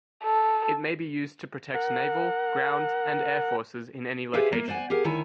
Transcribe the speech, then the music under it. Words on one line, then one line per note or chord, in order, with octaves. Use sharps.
It may be used to protect naval, ground, and air forces in any location.
A4
A#4 F#5
G4 G#4 B4 C5 E5 F5
A#3
C5 D5 F#5 G#5
G4 G#4 A#4 F5
D2 D#3 E4 C#5 G#5 A#5